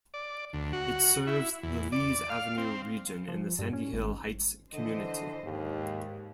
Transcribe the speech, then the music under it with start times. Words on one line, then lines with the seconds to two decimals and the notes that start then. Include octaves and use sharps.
It serves the Lees Avenue region and the Sandy Hill Heights community.
0.14 D5
0.53 D2
0.73 F#4
1.27 E4
1.63 E2
1.92 D5
2.30 F5
2.58 C4
3.28 F3
3.59 G2
3.73 C#4
3.93 G#1
4.73 D3 E3 C5 D#5
5.43 D#2 G#2